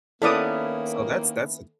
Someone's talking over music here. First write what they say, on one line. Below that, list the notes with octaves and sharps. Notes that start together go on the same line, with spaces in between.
so that's that's
D#3 A#3 B3 C#4 E4 A4 D5 D#6